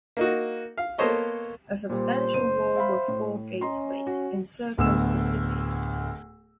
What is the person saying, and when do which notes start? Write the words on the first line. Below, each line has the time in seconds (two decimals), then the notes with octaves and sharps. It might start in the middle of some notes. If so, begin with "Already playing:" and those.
A substantial wall with four gateways encircles the city.
0.17 A#3 D#4 F#4
0.77 F5
0.98 A#3 B3 A4 C5 C#5 D#5
1.89 A#2 G3 C5
2.34 F#1 D#7
2.75 E5 F5 B5
3.08 A2
3.61 C#4 D#5 A#5 C6
4.07 F#4
4.77 D1 D2 B3 E6 E7